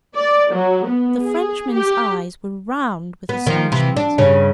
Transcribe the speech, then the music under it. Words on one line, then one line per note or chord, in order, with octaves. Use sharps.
The Frenchman's eyes were round with astonishment.
D5
F#3
B3
G#4
G4
B3
D#3 F3
C3 E3
D4
G2 C#3 C#4